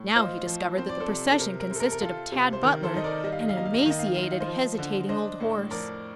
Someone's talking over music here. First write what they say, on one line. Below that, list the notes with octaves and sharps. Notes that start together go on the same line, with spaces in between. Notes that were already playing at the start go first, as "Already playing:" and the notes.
Now he discovered that the procession consisted of Tad Butler and an emaciated, hesitating old horse.
Already playing: A2
F4 C5 D#5
F3
C4 C5
D5
A4 C5
C3
A4
C3 A#4
A#4
C3 A4
A#4
A#4
F4 A4
C3
C5
D#3 A#4
A4 C5
D#4 D#5
A#4 D5
G3 D#5
F5
D#5
F5
A#3 D#5
F5
D#5
F5
D#3 D#5
F5
D#5
F4 F5
D#5
F5
C5 D#5
F3
D3
D4 C5 D#5
A2
F2 A#4 D5